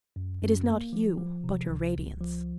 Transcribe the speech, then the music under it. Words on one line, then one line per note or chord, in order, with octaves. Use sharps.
It is not you, but your radiance.
F#2
F#2
A#3
F3
F3
C3
C#2
C#2
F3